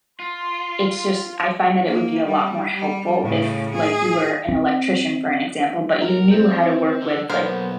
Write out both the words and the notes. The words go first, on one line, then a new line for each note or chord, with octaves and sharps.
it's just I find that it would be a lot more helpful if, like, you were an electrician for an example, but you knew how to work with, like,
F4 C6
A#3
G3
G3
A2 C#3
G#4
C4
A#4
C4
D3
B1 A#3 B3 A#4 C5